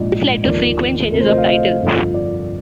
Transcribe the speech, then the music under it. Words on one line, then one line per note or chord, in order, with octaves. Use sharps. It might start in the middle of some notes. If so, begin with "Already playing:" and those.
This led to frequent changes of title.
Already playing: A#1 G#2 F3 D5
D#2 D3 F3 D5
D2 C3 F3 A#4
C5
D#5
F5
D#5
G1 F2 D3 F3
D5